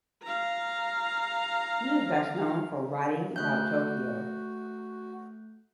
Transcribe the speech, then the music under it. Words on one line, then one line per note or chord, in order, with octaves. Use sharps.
He is best known for writing about Tokyo.
F5 A#5
A3 F#4 F#6 G6